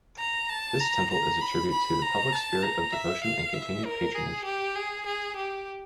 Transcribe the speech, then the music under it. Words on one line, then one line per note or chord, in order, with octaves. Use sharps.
This temple is a tribute to the public spirit of devotion and continued patronage.
A#5
A5
A#5
A#5
B5
B5
A#5
A5
A#5
E5
F5
E5
A#4
G#4
G4
G#4
G#4
G4